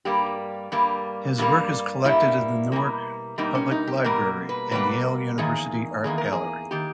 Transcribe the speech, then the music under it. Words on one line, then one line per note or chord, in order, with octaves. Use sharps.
His work is collected in the Newark Public Library and Yale University Art Gallery.
G2 G3 A#3 G4
G2 G3 A#3
G2 G3 A#3
G2 G3 A#3 E4
B2 G3 A#3
B2 G3 A#3 D#4
C#4
D#4
G4
B2 G3 A#3 A#4
B4
B2 G3 A#3 B4
E2 D#3 A#3 G#4
E2 D#3 A#3 G#4
A#4
G#4
D#3 A#3 G4